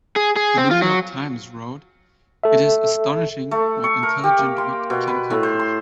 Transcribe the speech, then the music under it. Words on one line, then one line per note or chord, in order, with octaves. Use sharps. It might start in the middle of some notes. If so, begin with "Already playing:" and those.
"The New York Times" wrote, "It is astonishing what intelligent wit can accomplish".
G#4
G#4
C4
F4
F#3
A4 E5
A3
C#6
A#4
G4
A#3
C6
B2
B4
A2
C5
C6